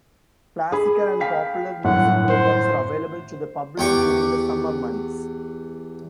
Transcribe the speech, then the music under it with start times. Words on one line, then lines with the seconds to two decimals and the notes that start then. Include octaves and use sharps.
Classical and popular music programs are available to the public during the summer months.
0.72 G#4 B5
1.20 F5 G5 B6
1.84 G1 F#2 A2 F#5
2.29 C5
3.78 E2 G4 C#6 D6